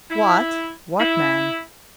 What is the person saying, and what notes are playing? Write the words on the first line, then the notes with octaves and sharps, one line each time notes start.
"What--what man?"
E4
E4